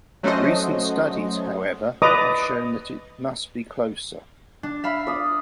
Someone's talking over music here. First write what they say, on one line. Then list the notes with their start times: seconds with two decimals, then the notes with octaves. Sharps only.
Recent studies, however, have shown that it must be closer.
0.23 F#3 A3 C#4 F#4 C5 D#5
2.02 B4 D5 D#5 A#5 D6 D#6
4.63 D4
4.84 E5 F5 B5
5.07 D5 D#6